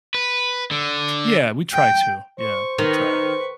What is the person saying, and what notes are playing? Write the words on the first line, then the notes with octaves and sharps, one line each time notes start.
Yeah, we try to. Yeah, we try.
B4
D3
G5
C5 C#6
D#3 B4 C#6